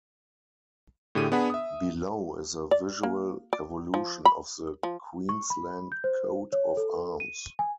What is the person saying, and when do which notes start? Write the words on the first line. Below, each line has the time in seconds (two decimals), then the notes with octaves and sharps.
Below is a visual evolution of the Queensland coat of arms.
1.15 A2 D3 G4 G#4 D#7
1.32 B3 D4 G#4 F#5 B5
1.50 E5 D#6
2.71 D5
3.03 A#3
3.53 D5
3.94 F3
4.25 B5
4.83 F3
5.29 C#6
5.50 B5
5.92 G6
6.04 C5
6.53 C#5
6.77 A4
7.20 D#7
7.59 G#5